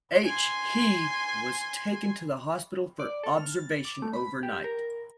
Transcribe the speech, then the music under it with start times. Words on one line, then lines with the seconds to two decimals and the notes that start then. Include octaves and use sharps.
H He was taken to the hospital for observation overnight.
0.25 G#5 C6
3.00 D5
3.24 A4
3.38 F6
3.56 A6
3.85 D6
4.02 A3
4.13 B5
4.43 G4
4.64 A#4